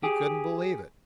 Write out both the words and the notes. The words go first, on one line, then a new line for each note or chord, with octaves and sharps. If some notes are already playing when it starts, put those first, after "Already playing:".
He couldn't believe it.
G4 G#4